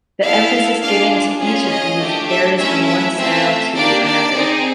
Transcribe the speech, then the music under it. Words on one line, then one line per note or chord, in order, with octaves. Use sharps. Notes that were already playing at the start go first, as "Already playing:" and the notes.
The emphasis given to each of these varies from one style to another.
B3 E4 A4 F5
D4 F4 G#4 F5
C#4 F4 G#4
D#5
A3 D4 G4
E5
A3 C#4 E4 E5
E5
A3 C4 F4 E5
A#3 D4 G4 D5
D5
C4 D#4 G#4